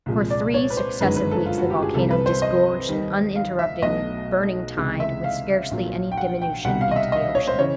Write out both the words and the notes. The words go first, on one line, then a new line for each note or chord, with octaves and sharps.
For three successive weeks the volcano disgorged an uninterrupted burning tide, with scarcely any diminution, into the ocean.
C2 A#2 F3 G#3
D5
C#5
B4
C5
G1 F#2 D#3 G#3 B4
B4
A4
F4
F#4
G4
G#4
C2 C3 E3 G3 A4
B4
C5
D#5
D#2 D#3 G3
F5
E5
B1 B2 F#3 A3 D#5
C#2 C3 E3 G#3
E5
F5
A#1 A#2 F#3
G5
F#5
G5
C2 B2 G3 F#5
F5
D#5
E5
D#5
C#5
C5
C#3 E3 C#5